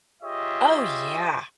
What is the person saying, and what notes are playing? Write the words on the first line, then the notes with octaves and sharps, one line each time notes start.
Oh, yeah.
F4 G4 G#4 C#5 D#5 E5